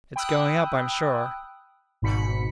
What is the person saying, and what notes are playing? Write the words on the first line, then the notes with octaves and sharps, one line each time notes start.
"It's going up; I'm sure."
G5 B5 D#6 E6 F#6
G#1 G#2 B2 B5 B6 C#7